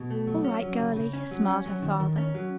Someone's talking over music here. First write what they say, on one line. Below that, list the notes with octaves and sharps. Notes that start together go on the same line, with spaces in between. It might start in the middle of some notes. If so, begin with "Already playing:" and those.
"All right, girlie," smiled her father.
Already playing: B2
A3
F#3
C#4
F#3
C#3
C#3
C#4
F#3
C#4
F#3
D#3
D#3
C#4
F#3